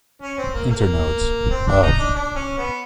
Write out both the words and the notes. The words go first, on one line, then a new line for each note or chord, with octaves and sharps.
Internodes, of.
C#4
C4
A#3
A#3
C4
D4
D#4
D4
D4
C#4
B3